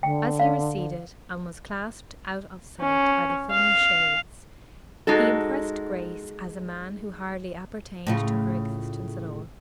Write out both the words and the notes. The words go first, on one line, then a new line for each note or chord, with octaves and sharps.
As he receded, and was clasped out of sight by the filmy shades, he impressed Grace as a man who hardly appertained to her existence at all.
D3 G5
F5
C#4
F5
G#3 D#4 F#4 A4
A2 C#3 F4